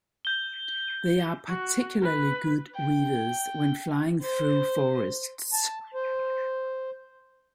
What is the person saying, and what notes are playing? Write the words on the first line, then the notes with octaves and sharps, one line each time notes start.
They are particularly good weavers when flying through forests.
G6 G7
F#4
B4
G5
C5
A5
C5